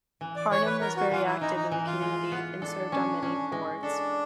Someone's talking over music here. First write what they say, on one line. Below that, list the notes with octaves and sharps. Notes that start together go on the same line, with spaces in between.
Harnum was very active in the community and served on many boards.
E3
D5
E3 C#5
B4
B3 A#4
F#4
E3 F4
E4
E3 D#4
D#4
E3
F4
G#3
B3
D4 A4
C#4
C#4
G#3
D4 A4